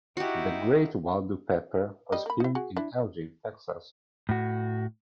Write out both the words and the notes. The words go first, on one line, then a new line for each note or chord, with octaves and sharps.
"The Great Waldo Pepper" was filmed in Elgin, Texas.
D#4 E4 F#4 G4
G3 D#5
A#3 B5
D#4 E4
F#4 G#4
D4 E4
A2 F#4